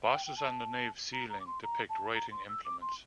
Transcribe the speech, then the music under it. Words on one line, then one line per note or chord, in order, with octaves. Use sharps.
Bosses on the nave's ceiling depict writing implements.
G5
G5
A5
A#5
A#5
D6
C6
A#5
A5
A#5
C6
E6
D6
C6